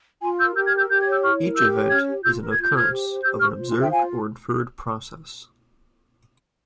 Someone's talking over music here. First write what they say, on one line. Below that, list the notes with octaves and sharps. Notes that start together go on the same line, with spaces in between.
Each event is an occurrence of an observed or inferred process.
F4 G#5 C6
A#4 E6 G6
G4 E6 G6
F6 G#6
A#4
E6 G6
G4 G6
C#5 G#6
E6 G6
E4 C#6 F6
A#4
G4 E6 G6
C#5
C#4 F6 G#6
G4
F4 E6 G6
A#4
G#6
F4 G6
C5 F6 G#6
G4
C5
G4 E6 G6
C5 C#6 F6
F4
G#5 C6
C5
E5 G5
F4 F5 G#5